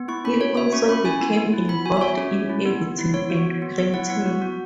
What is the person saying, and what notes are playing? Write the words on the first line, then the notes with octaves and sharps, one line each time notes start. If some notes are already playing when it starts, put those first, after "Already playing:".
He also became involved in editing and printing.
Already playing: B3
E4 C#6
C#4 B5
F#4 C#5
F#4 E5
C#4 C#6
C#4 B5
E4 G#5
B3
B3
E4
B3 B5
F#4 G#5
E5
F#4 C#5
C#4
C#4
E4
B3
B3
E4
B3 C#5
F#4
F#4
B3
B3 C#5
E4 F#5
B3 F#5
F#4
F#4